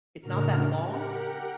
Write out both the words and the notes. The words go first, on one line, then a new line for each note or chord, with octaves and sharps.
it's not that long,
A2 C#3 D4 F#4 A#4 F6
G4 A#4 F#5